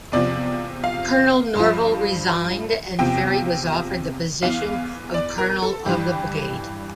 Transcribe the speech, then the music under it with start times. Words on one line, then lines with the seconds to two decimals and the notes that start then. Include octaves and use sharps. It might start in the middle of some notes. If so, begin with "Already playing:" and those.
Colonel Norvell resigned and Ferry was offered the position of Colonel of the Brigade.
0.12 E2 C3 F3 D5
0.84 F5
1.55 G2 F3
2.99 E2 C3 F3 G5
4.42 E2 E3 F5
5.14 D5
5.38 A#4
5.62 A4
5.86 G2 E3 G4